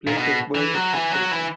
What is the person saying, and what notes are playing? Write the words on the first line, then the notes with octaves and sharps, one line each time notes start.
Place of birth of this Person.
A#2
B2
E3
F#3
E3
F#3
E3